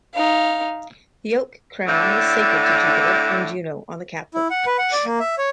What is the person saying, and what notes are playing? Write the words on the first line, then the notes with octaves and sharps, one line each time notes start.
The oak crown was sacred to Jupiter and Juno on the Capitol.
D#4 F5
A2 D3
E4
F#5
B4
F#5
D5
A#3
E5
C#5